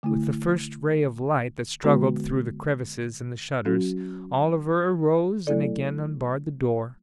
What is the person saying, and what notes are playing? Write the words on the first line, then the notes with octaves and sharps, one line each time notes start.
With the first ray of light that struggled through the crevices in the shutters, Oliver arose, and again unbarred the door.
D3 A3 E4
D3 G#3 B3 F#4 B4
F#3 C#4 F#4
F#3 A3 E4 A4 D5